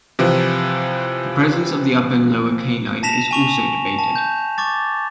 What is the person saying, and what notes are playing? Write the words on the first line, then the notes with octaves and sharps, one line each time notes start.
The presence of the upper and lower canine is also debated.
C3 E3 F3
A5 A#6 B6 E7 F7
G#5 C#6 F7
A5
G6
C#6 D6 A6